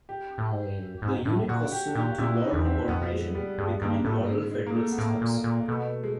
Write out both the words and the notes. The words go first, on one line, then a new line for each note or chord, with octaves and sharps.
The unit was sold to Loral Corporation, becoming Loral Federal Systems.
G4
A2
G#2
G2
F#2
G#2
A2
A#2 F#4
G4
A#2 G4
A#2 E4
D#4
E2
C4
F2 B3
G#3
G3
G2 G#3
G2 A#3
A2 A3
G2
G#2 G#3
G#3
A#3
A3
B3
A2 A#3
A#2
A#2
B2 A3
G#3